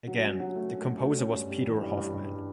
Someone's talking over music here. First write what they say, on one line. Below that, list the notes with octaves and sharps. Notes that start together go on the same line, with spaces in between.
Again, the composer was Peter Hoffmann.
F#3
C#4
F#3
A3
A3
F#3
A3
C#4
G2
G3
E3
G2
G2
G2